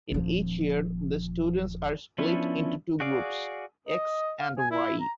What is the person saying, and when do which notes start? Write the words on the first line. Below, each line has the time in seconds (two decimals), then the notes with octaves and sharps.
In each Year, the students are split into two groups x and y.
0.12 D#1 F3
2.18 F3 B3 C#4 D4 E4
3.00 F#4 G#4 D5 F5
3.88 D#5
4.40 F5
4.58 G#5
4.71 E4
5.01 A#5